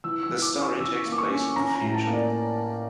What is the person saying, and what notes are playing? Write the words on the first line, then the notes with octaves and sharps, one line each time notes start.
The story takes place in the future.
E3 E6
E6
E3
D6
C#4
C#6
E3 E6
A#3
D6
C#6
C#4
C#4 A#5
A#5
A2
A5
A#3
D5